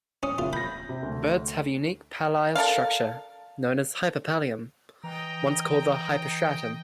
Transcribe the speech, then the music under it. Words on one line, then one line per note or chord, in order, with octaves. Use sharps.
Birds have a unique pallial structure known as the hyperpallium, once called the "hyperstriatum".
C#4 D#6
F#1 F4
B5 G6 A#6
C3
D2
A4 A#4 D5 F5
E3 D#5 G5 A#5